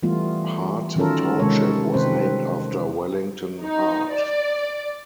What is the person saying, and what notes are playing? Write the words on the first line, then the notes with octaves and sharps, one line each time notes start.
Hart Township was named after Wellington Hart.
E3 G3 A3 B3 F4
D#3 F#3 C#4 F4 A4 A#4
C3 D#3 G#3 A4 C#5
C3 D#3 C4 B4 C5
D#4
D5